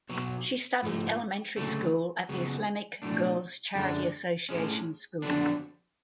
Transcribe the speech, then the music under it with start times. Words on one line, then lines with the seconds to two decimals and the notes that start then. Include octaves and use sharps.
She studied elementary school at the Islamic Girls Charity Association School.
0.09 B1 B2 F#3
0.83 G#2 F3 A3
1.56 D2 C#3 F#3 A3
2.29 C#2 C#3 F#3 B3
3.02 B1 A2 F#3 A3 D4
3.75 F#2 D3 G#3 D4
4.49 A2 G#3 C#4
5.22 F2 D3 F#3 B3 D4